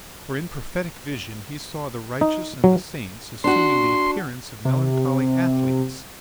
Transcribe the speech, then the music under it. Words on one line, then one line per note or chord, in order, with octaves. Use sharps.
For in prophetic vision he saw the righteous and the saints assuming the appearance of melancholy athletes.
D#4
F#3
D4 F#4 C6
C3